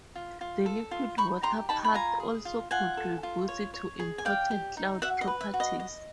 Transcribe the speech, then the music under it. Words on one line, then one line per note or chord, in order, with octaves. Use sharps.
The liquid water path also contributes to important cloud properties.
F4
F4
A4
F4
D#4 B5 C#6
G4 A#5 C6
D#4 A5 B5
B5
F4 G#5 A#5
G#4
F4
F4 F#5 G#5
A4
F4
C#5
C#5
G#4
G#5
D5 F5 G5
G4
D#4
F#4 E5 F#5
D#5
B4
E5
F#4
D#5
D#5